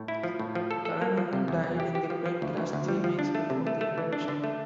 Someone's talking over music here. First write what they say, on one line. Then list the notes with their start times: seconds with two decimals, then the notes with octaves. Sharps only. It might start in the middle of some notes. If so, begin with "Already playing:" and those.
Carnahan died in a plane crash three weeks before the election.
Already playing: A2
0.08 E4
0.23 F3
0.39 A2
0.55 F3
0.71 A4
0.85 A4
1.02 A#3
1.17 F3
1.33 C3
1.48 E2
1.64 E2
1.80 G4
1.95 G4
2.10 F3
2.26 F3
2.42 D2
2.57 D2
2.73 D2
2.88 G3
3.04 F3
3.19 D4
3.35 A3
3.50 C3
3.67 A3
3.81 A3
3.98 E3
4.13 D4
4.28 D3
4.44 A3